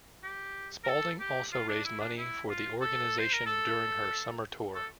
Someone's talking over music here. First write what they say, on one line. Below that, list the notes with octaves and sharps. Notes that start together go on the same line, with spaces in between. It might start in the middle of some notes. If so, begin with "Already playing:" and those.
Spalding also raised money for the organization during her summer tour.
G4
A#4
A4
G4
F4
D4
E4
D4
E4
F4
A4
C5
A#4
A4
A4